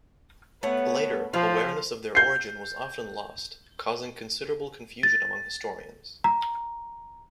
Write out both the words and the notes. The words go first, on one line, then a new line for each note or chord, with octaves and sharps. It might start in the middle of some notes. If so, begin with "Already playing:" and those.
Later, awareness of their origin was often lost, causing considerable confusion among historians.
A3 B3 C#5 F#5
F3 F4
G6 C7
A6
A#5